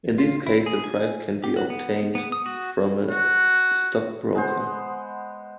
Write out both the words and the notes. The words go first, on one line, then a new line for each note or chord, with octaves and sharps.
In this case, the price can be obtained from a stockbroker.
F4
E4
G#4
G#5
G4
F#4
B3
B3
D#6
F#4
F#4
G#3 B3 C5 F#5